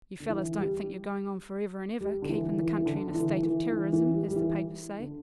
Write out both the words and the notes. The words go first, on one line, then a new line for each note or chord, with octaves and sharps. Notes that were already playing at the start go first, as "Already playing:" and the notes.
You fellers don't think you're going on for ever and ever, keepin' the country in a state of terrorism, as the papers say.
D3
E3
G3
G3
D3
E3
E3
E3
D3
D3
E3
E3
E3
E3
G3
G3
E3
D3